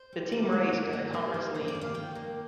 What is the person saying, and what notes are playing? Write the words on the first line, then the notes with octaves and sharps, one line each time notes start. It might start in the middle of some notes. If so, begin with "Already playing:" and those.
The team raced in the Conference League.
Already playing: C5
G3
D#3 D5
D#4
A#3
A#3
G3 C5
A#3
D#3 C5
D5
D#3
F5
D#3 G5
A#3